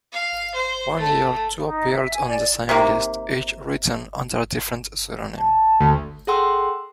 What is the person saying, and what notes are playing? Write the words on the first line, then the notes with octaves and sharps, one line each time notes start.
One year, two appeared on the same list, each written under a different pseudonym.
F5
C5
A3
D#4
E5
G#5
D5
C3 D#3 A#3
A5
D2
G#4 A4 F#5 G5 C6 E6